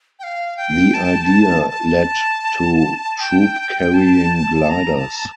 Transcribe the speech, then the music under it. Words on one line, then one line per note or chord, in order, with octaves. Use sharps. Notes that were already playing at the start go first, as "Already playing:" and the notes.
The idea led to troop-carrying gliders.
G5
F5
G5
A5
A5
G5
A5
A#5
A#5
A5
A5